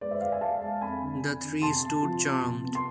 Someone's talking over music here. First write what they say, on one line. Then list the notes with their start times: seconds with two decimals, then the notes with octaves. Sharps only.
The three stood charmed.
0.01 G#3 B4 D5
0.11 C5 E5
0.21 G#3 D5 F5
0.32 E5 G#5
0.41 G#3 F5 A5
0.62 G#3
0.81 F2 G#5 B5
1.02 D3
1.22 F2
1.43 D3
1.62 C3 A5 C6
1.82 C3
2.03 F3
2.23 C3
2.43 C3
2.64 B3
2.75 C6